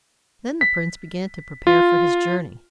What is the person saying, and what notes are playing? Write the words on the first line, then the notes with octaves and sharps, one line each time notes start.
Then the prince began to prepare for his journey.
B6
F4